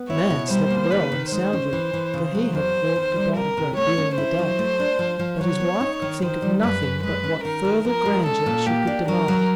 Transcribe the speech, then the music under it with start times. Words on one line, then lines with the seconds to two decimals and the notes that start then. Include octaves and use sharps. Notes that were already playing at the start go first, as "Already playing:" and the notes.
The man slept well and soundly, for he had walked about a great deal in the day; but his wife could think of nothing but what further grandeur she could demand.
Already playing: B3
0.09 E4 C#5
0.30 B2
0.50 G3 C5
0.70 A#3
0.91 D#3 B4
1.12 D#3
1.32 G#3 C5
1.53 C#4
1.73 E3
1.94 E3
2.14 C#3
2.35 F#3
2.55 E2 C5
2.75 E2
2.96 D#3
3.16 G3
3.36 C3 A#4
3.57 C3
3.76 A3 C#5
3.97 C#4
4.17 E4 C5
4.39 F#3
4.59 A3
4.80 D4
4.99 F3
5.19 F3
5.41 F#3 C#5
5.60 B3
5.81 D#4
6.02 D#3
6.22 D#3 C5
6.42 G3
6.63 F#2 B4
6.83 F#2
7.03 G#3 B4
7.24 C#4
7.44 D#3 A#4
7.65 D#3
7.85 F3 A#4
8.05 G#3
8.26 C#4 A4
8.46 A#2
8.66 A#3 G4
8.87 D4
9.08 F#3 A#4
9.28 F#3